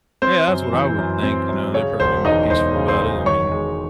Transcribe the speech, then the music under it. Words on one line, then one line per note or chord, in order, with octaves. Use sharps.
Yeah, that's what I would think, you know, they're probably be more peaceful about it, I mean,
C4 C5
F#2
E3
F#2
C4
F#2
C#3 C#5
E1 C5
E2 D#4 D#5
E1 C5 C6
C#3
C5 C6
E1
D#3 C#5 C#6
G#3